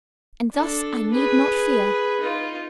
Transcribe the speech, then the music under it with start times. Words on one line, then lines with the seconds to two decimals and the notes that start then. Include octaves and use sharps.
And thus I need not fear.
0.53 D4 A4
1.11 G#4 B4
2.20 D#4 F4